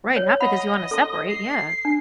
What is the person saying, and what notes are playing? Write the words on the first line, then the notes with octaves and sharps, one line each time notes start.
Right, not because you wanna separate. Yeah.
C#5
D#5 F#5 B5
A4 C6
C7
D4